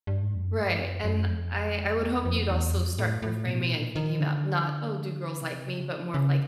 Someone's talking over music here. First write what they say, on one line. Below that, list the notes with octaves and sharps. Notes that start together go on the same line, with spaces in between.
Right, and I I would hope you'd also start reframing and thinking about not, "Oh, do girls like me?" but more of, like,
G2
G#2
F2
F#2
G2
F#2
F#2
F2
E2
F2
E2
F2
A2
A2
B2
A#2
D#3
D3
C3
C#3
C#3